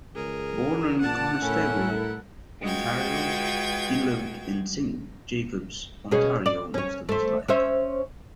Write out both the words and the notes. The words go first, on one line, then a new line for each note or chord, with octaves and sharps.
Born in Conestogo, Ontario, he lived in Saint Jacobs, Ontario most of his life.
C#2 G#4 A#4
A#2 D5 F#5 A5
A2 C#4 E4 A4 A#4
G#3 F4 F#4 B4 G5 G#6
B2 C#4 G#4
D5
C#4 C#5
A3 C5
C#4 C5 E5